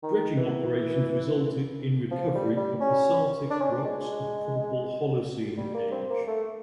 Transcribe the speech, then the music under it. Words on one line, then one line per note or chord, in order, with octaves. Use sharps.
Dredging operations resulted in recovery of basaltic rocks of probable Holocene age.
D#3
E3
F3
G3
G3
C#4
D4
C#4
D4
G#3
G3
A#3
C4
A#3
A3